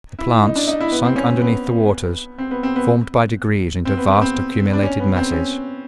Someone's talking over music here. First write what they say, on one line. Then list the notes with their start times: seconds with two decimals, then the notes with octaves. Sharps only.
The plants, sunk underneath the waters, formed by degrees into vast accumulated masses.
0.19 E4
0.43 D#4
0.56 D4
0.67 D#4
0.80 E4
0.92 B3
1.04 C4
1.16 C#4
1.41 B3
2.38 C4
2.51 B3
2.63 C4
2.76 B3
3.85 C4
3.97 B3
4.11 B3
4.22 C4
4.73 D4
4.83 C#4
5.00 B3
5.16 C4
5.32 C#4